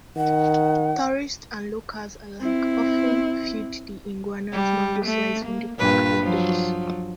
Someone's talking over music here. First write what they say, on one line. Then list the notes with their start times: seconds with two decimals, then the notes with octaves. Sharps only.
Tourists and locals alike often feed the iguanas mango slices from park vendors.
0.17 D#3 F#5
2.41 C4 E4
4.52 G3
5.06 A3
5.46 A#3
5.78 G2 A#2 B4
6.21 F3 F#3